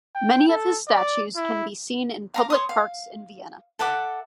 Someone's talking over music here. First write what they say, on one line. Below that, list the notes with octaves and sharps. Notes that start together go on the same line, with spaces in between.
Many of his statues can be seen in public parks in Vienna.
G5
A4
D5
E4
F5 A#5 D6
C#5 C6 D#6
F5
A4 E5 F#5 D6